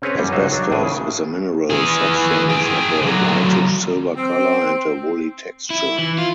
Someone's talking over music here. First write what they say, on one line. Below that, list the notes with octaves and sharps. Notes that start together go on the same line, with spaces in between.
Asbestos is a mineral substance of a whitish silver color and a woolly texture.
C4 C#4 G#4 B4 C#5
F#2 G3
C#2 F#3 D#4 C5
F#3 D4
G#1 A2 G#4 G5 G#5
C#3
E3 G#4
G#4 G5
D3 F#3
C4
E4
E3
F4